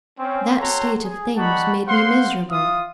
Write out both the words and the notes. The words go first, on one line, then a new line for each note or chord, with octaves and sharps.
That state of things made me miserable.
C4 C#4
F#4 A4 C#5 G5 A#5 C6
G#4
G3 D#4 F#5 A5 B5 C#6
B3 C5 F5 F#5 C6
F4 E5 F5 D#6